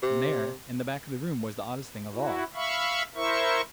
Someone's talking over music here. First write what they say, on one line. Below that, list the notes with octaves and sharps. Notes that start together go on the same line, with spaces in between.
And there in the back of the room was the oddest thing of all.
C3
E4 F#4
E5 F5 B5 C#6
E4 A#4 C5 E5 C#6